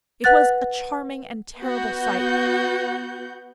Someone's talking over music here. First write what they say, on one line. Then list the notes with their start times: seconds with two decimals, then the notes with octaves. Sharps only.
It was a charming and terrible sight.
0.24 B4 F#5 F#6 A6
1.59 B3 F#4 G6